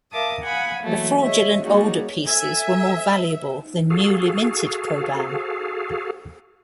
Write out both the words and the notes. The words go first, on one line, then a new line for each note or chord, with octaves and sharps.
The fraudulent older pieces were more valuable than newly minted koban.
A#4 E5 F5 A5 D6 D#6
F5 F#5 G#5 B5 D#6
E3 F#3 A3 A#3
G#4 C#5 D#5 E5
G3 A#3 C#4 D#4 F#4 G#4
A4 E5 G#5
F#4 G#4 A4 F5